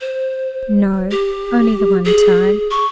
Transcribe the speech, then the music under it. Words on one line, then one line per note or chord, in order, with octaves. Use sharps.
"No, only the one time."
C5
G4
G#4
C#6